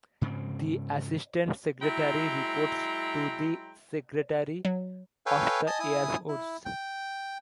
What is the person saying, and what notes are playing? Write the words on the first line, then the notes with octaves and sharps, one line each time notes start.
The assistant secretary reports to the secretary of the Air Force.
G#2 C#3 C4
F#3 G#3 E4 G5 A#5 C6
F#3
A4 B4 C#5 F5 G5 G#5
D#5 G#5 A5 D#6
E4 G#5 D#6
E4
G5